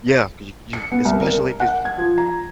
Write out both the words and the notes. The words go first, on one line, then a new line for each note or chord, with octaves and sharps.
Yeah, c you you especially if it's y
C#7
B3
C2
A#4
F#5
G#6
F3
A#5